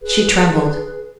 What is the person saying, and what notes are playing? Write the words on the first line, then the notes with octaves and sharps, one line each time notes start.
She trembled.
G#4 B4